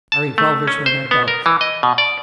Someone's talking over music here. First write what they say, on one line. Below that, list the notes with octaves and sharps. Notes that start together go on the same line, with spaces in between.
Our revolvers were in our belts.
A5
A3
C#4
C5
B3
A#4
E3
D#5
B2
D5